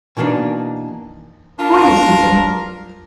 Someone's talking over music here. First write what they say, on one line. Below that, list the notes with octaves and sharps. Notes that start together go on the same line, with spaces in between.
Who are you seeking?
B2 E3 A#3 B3 D4 D#4
D4 F4 A#4